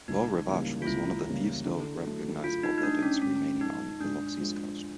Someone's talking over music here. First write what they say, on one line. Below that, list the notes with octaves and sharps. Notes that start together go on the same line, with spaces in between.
Beau Rivage was one of the few still recognizable buildings remaining on Biloxi's coast.
C#2 D#4
C#3 E3 G3 A#3
F4
C#2 E4
C#3 E3 G3 A#3
D3
F#3 A3
D3 F4
D#4
D#4
F#3 A3 D4
C#4
G#2 C#4
F3 G#3 D#4
G#2 D4
F3 G#3